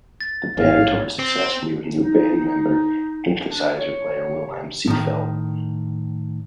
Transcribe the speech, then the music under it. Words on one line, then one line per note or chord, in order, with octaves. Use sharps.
The band toured successfully with new band member, synthesiser player Wilhelm Seefeldt.
A6
A1 G#2 C#5 F5
C4
D#4
D4
C#5
C3
A2 D#3